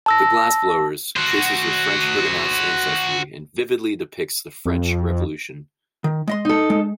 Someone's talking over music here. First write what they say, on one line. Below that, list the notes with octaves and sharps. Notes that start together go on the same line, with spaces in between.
"The Glass-Blowers" traces her French Huguenot ancestry and vividly depicts the French Revolution.
A5 E6 A#6
F#4 C5
F2
D#3
G#3 D#5 C6
D#4 A4
G#3